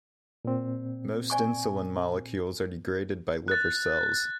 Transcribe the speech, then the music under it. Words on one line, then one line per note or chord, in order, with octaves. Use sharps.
Most insulin molecules are degraded by liver cells.
A#2 C4
D5 G#5 C#6
F#6 A6